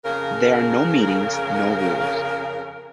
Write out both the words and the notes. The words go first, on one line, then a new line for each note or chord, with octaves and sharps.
There are no meetings, no rules.
F2 C#3 A#4